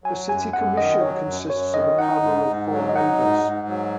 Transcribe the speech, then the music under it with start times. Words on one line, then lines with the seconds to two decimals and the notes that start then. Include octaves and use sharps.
The city commission consists of a panel of four members.
0.04 F#3 G#5
0.29 F#2 G#5
0.53 F#2 F#5
0.77 D#3 D#5
1.01 F#3 C#5
1.25 F#2
1.49 F#2 C#5
1.74 D#3 D#5
1.98 D#4 F#5
2.22 G#2
2.46 G#2
2.71 F#3
2.89 D#5
2.95 D#4 F#5
3.20 G#2
3.44 G#2
3.68 F#3